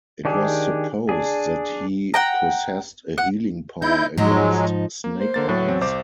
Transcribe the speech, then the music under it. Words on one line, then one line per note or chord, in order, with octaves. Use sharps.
It was supposed that he possessed a healing power against snake bites.
D#3 D4 G4 G#4
D4 G#4
F#5 G5 A#5
F#5
D#4 E4 G6
G#2 F3 F#3 G#3 D#4
A#3
C5
D3 A#3 A6
A2 F#3
E2 C4
C2 C5 D6